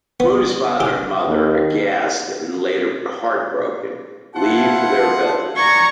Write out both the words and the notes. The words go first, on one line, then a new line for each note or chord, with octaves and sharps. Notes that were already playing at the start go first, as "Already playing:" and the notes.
Munna's father and mother, aghast and later heartbroken, leave for their village.
B3
G4
D#2
E4 F4 C5 F#5 A5
D5 A#5 C#6 G#6